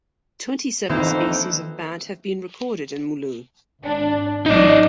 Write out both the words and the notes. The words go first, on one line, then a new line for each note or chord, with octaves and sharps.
Twenty seven species of bat have been recorded in Mulu.
F2 D#3 E3 A#3 D4 D#4 C5
G#1 D4
A1 F#3 D#4 D5 D#5